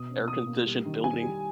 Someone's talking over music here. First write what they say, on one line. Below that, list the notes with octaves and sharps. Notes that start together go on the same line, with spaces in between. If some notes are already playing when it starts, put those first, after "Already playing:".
air conditioned building.
Already playing: B2 D#6
C#4
B2 D#6
A#3
G3
D#3
D#3 G#5
G3